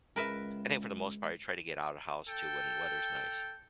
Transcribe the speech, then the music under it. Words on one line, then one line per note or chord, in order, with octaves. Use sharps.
I think for the most part, I try to get outta house too when weather's nice.
C#2 G#3 A#4 B4 E5
A4 G5